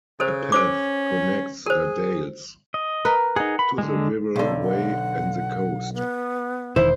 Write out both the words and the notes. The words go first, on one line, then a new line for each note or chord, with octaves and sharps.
A path connects the Dales to the Wirral Way and the coast.
C#3 A4 A#4 C5
C#4 A4 C5 D6
G#4 A#4 C5
D#5
A#4 B4
D#4 G#4 F#5
B5
D3 G#3
B1 D3 A4
F#5
B3
E1 D#3 E4 C5